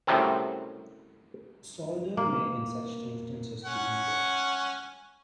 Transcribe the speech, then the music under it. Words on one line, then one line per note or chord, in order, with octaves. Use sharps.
Solder may in such instances be employed.
F#2 A2 C3 F#3 G3 C4
A#3
C#4 F#5